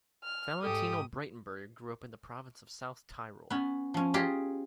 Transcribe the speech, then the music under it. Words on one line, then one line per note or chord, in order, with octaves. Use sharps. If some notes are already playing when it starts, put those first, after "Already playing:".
Valentino Braitenberg grew up in the province of South Tyrol.
F6
G#2 G4 A4 D#6
B3 C#4
F3 C#4
F4 G4 G#4 D#5